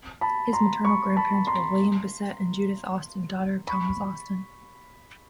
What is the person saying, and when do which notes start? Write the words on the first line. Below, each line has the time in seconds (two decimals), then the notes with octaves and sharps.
His maternal grandparents were William Basset and Judith Austen, daughter of Thomas Austen.
0.21 A5 B5
0.53 A#5 C6
0.85 B5 C#6
1.17 A5 B5
1.47 A#5 C6
3.67 B5 C#6